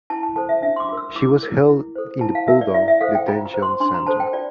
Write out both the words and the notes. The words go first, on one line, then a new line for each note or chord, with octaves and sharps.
She was held in the Pudong Detention Center.
E4 A5
A5
A4 C5 A5
E5
D4 E5
C6
D6
F4 A#4
E6
E4 D6
A#4
E4
A4 C5
E4 A5
F5
A#4 E5
D5
E4 E5
E5
A4 C5 F5
G5
F4 A#5
A#5
C5
C6
D4 C6
A#5
A4 C5 A5
G5
F4 D5